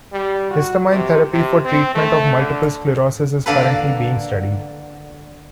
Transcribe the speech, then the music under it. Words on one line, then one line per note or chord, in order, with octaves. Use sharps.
Histamine therapy for treatment of multiple sclerosis is currently being studied.
G3
F#4
C3
C3
C4
A3
D3
D3 A#3 A4 B4